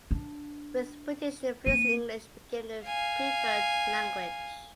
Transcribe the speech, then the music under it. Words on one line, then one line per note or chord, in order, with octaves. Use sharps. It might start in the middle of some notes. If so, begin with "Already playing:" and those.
With British influence, English became the preferred language.
D4
A#3 C4 D#7
F5 G#5